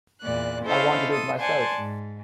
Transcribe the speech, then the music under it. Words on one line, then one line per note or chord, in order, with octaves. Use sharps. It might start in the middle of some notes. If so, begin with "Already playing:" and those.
I want to do it myself.
E2 A#2 D5 F#6
C#4 E4 A4 C5 D#5 F5
A4 C6 D#6
C5 D5 F#5 G#5 A5 C6
G#2